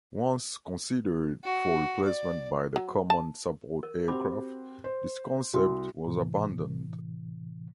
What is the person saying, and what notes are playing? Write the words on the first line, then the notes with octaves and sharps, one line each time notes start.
Once considered for replacement by the "Common Support Aircraft", this concept was abandoned.
F#4
D5
F#3
A5
A#4
C4 F#4 G4 B5 D6
C5
C2 F#4
A2 C3 E3